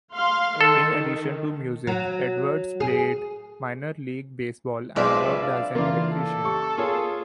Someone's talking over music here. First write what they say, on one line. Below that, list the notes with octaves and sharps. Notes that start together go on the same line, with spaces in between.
In addition to music Edwards played minor-league baseball and worked as an electrician.
F5 C6
D#3 A4
F#3
G#4
B1 G#3 C4 F4 B4 D5 E5
D4 F5
C#3 E3 A#3 D4 F4
A4
G4 C#6
A#3 F4 G#4 C#5